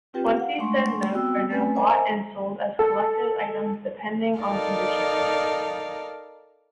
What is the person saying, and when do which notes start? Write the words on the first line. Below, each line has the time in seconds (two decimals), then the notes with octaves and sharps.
Twenty sen notes are now bought and sold as collectors items depending on condition.
0.14 C4 F4 G4 B4 G5
0.37 F5 F#5
0.58 G#3 A3 D4 F#5 C6 C#6
1.12 B3 C4 F#4 G5 E6
1.50 A3 C4 C#4 B4 G#5
1.75 A#4 C5 D#5 E5 G#5 A#5
2.79 A4
4.40 D#4 A4 A#4 D5 F5